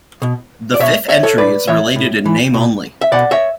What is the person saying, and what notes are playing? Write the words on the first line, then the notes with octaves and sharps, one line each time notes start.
The fifth entry is related in name only.
B2
D5
B2 C#5 E5
C#5 E5
A4 C#5
A2 B4 D5
E3 C#5 E5
A2
E3
B2
E5
B2 D5 F#5
C#5 E5